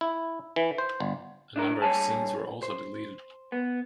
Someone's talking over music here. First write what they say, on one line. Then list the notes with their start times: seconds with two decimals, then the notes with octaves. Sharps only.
A number of scenes were also deleted.
0.01 E4
0.56 E3
0.78 C5
1.00 G1
1.56 D4 E4 A#4
1.82 G2 G#4 C#5 G#5 A5
2.63 C5
3.52 B3